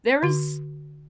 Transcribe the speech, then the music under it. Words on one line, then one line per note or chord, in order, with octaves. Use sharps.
there was
D3 F#4